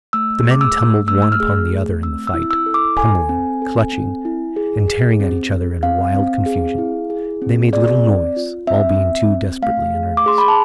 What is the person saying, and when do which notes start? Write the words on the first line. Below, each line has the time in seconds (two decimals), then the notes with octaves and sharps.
The men tumbled one upon the other in the fight, pummelling, clutching, and tearing at each other in a wild confusion. They made little noise, all being too desperately in earnest.
0.13 A3 E6
0.44 G#4
0.51 D6
0.61 E6
0.77 A3
1.08 A3 E6
1.22 E6
1.32 F6
1.40 G#4
1.71 A3
2.03 C4 E6
2.27 E6
2.34 E4
2.51 E6
2.66 A4
2.74 D6
2.97 A4 G#5
3.29 C4
3.62 A4
3.93 C4
4.25 E4
4.56 G#4
4.88 G#4
5.20 C4
5.51 G#4
5.83 C4 F5
6.14 C4
6.46 G#4
6.78 E4
7.10 G#4
7.42 C4
7.73 G#4 D5
8.04 C4
8.36 F4
8.67 C4 E5
9.00 C4
9.31 C4
9.62 A3 F5
9.94 G#4
10.17 D6
10.26 G#4 C6
10.38 B5
10.48 A5